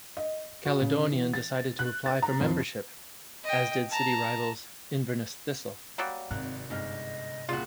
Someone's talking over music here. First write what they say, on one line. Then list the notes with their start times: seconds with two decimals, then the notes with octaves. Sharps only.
Caledonian decided to apply for membership, as did city rivals Inverness Thistle.
0.17 D#5
0.65 F#4
0.82 C#3
1.12 E3
1.34 A6
1.79 F#6
2.06 A6
2.22 A#5
2.41 F2
3.44 D#5 G5
3.90 A5 A#5
5.98 F#3 G3 A#3
6.31 G#1 C3 A#5 F#6
6.70 G1 G#2 D#5 F6
7.49 C2 A#2 C#3 F4 F#4 D5